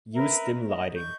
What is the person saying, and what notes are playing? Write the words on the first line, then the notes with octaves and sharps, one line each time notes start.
Use dim lighting.
A#4 B4 E5
D#5
C#6 G6